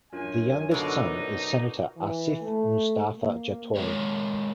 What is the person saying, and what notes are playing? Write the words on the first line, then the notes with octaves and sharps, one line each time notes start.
The Youngest son is Senator Asif Mustafa Jatoi.
F#2 D4 F4 A#4 G#5
B2 D3 D#4
E3
A3
A#3
G#3 G#4 A#4 C#5